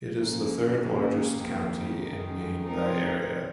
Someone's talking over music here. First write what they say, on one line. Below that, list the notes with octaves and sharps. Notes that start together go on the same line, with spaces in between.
It is the third-largest county in Maine by area.
F3 A#3 C#4
D#3 A#3 C#4
F2 D#3 A#3
F#2 D#3 G#3
F3 C4 D#4 A#4